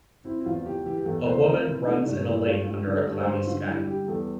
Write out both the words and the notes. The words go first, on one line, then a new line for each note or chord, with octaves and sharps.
A woman runs in a lake under a cloudy sky.
C4 E4
E4
E2 F4
E3 G4
E3 G4
G4
E2 A4
A3 C5
C4 A#4
E3 E4
A3 D4
G2 D4
A3 E4
G2 F4
G2
D3
A4
G2
C5
G2
D3 F4
G3 E4
G3 G4
E2 A4